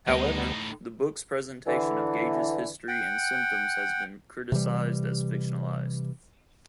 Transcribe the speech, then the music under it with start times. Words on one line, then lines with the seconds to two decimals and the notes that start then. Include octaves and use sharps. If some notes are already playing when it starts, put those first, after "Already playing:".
However, the book's presentation of Gage's history and symptoms has been criticized as fictionalized.
0.08 D2 A2 G3 B3 D#4
1.67 D3 E3
2.88 F#5 G5
4.52 C3 E3 G3